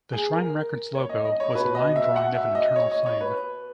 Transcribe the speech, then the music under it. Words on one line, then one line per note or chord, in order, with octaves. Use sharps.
The Shrine Records logo was a line drawing of an eternal flame.
G#4
A#4
C#5
D#5
D#5
C#5
B2 B4
D#5
E5
F#5
E5
D#5
C#5
D#5
C#5
B4